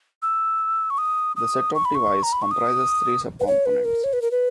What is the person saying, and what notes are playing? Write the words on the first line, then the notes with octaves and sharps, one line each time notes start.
The set-top device comprises three subcomponents.
E6
C#6
D#6
D#6
C#6
B5
C#6
A#5
B5
C#6
D#6
B4
C#5
B4
A#4
C#5
B4
A#4
B4